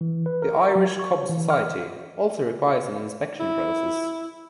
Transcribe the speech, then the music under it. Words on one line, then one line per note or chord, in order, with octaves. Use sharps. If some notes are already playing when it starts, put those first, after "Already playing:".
The Irish Cob Society also requires an inspection process.
E3
B4
A#4
A#5
F#3
G#6
C#6
C#5
E3
F6
E4